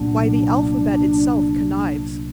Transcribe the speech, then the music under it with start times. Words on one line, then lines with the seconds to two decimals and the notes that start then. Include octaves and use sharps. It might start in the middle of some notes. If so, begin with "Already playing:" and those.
Why, the alphabet itself connives.
Already playing: C2 A#2 F#3 B3 D4